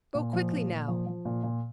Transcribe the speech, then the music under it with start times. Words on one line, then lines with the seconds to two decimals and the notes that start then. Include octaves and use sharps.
Go quickly now!
0.15 A#2
0.33 F3
0.52 A#2
0.70 A#2
0.88 F3
1.07 F3
1.25 A#2
1.43 A#2